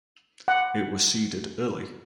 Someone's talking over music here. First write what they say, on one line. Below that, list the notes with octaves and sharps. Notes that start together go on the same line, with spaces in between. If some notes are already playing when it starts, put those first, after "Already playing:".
It was seeded early.
F#5